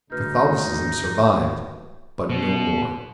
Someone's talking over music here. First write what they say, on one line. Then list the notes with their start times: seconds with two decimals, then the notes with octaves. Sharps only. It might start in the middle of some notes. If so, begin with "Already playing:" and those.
Catholicism survived; but no more.
0.12 D2 G#2 D#4 F#4 B4 F6
2.30 B2